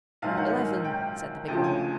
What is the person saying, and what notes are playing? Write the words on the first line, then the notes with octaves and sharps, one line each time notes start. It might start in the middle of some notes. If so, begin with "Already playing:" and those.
"Eleven!" said the big one.
A#1 G#2 D#3 F#3 A#3 F5
F#5
G5
D2 C#3 F3 G5
G#5